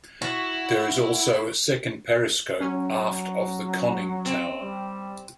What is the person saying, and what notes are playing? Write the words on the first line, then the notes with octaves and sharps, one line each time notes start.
There is also a second periscope aft of the conning tower.
E4 F#4
F#3 C#4
C4
G3